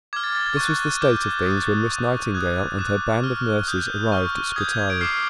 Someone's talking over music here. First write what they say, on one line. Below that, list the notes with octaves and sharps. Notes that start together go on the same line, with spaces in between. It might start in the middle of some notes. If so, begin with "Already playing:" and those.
This was the state of things when Miss Nightingale and her band of nurses arrived at Scutari.
D6 F6 G#6
A6
A6
G#6
C#6 F#6
D6 F6 G6
D#6 F#6
C#6 F#6
D#6 F#6 G#6
D6 F#6
C#6 F6
D#6 F#6 G6
C#6 F6
D#6 G6 G#6
G6
G#6
D7
D6 F6 C7